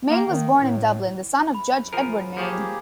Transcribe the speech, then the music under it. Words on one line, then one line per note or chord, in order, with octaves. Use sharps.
Mayne was born in Dublin, the son of Judge Edward Mayne.
A#3
D#3
A2
F#2 B5
F3 G#4 A#4
F3 A#3 G4 G#4 C#5 A5